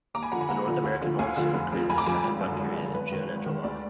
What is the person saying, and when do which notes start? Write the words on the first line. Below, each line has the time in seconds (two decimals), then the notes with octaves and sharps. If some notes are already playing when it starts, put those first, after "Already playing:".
The North American Monsoon creates a second wet period in June and July.
0.14 D#2 A#5 D6
0.23 G#5 B5
0.32 D3 F3 F#5 A#5
0.41 G#5 B5
0.49 D#2 F#5 A#5
0.67 D3 F3
0.84 D2
1.01 D3 F3
1.19 D2 F5 G#5
1.36 D3 F3
1.54 F1
1.72 F2 F3
1.89 F1 G#5 B5
1.98 A#5 D6
2.06 F2 F3 G#5 B5
2.24 G#1
2.41 F#2
2.47 D3
2.59 G#1
2.77 F#2 D3
2.94 G#1 B4
3.12 G#2 D#3
3.29 G#1
3.46 G#2 D#3
3.64 D2 D5